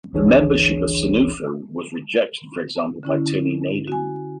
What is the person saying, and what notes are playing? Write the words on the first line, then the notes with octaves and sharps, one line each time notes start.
The membership of Senufo was rejected for example by Tony Naden.
G1 C#2 E3 D4 G#4 C#5
D3 C#4 E4
F#4 G#5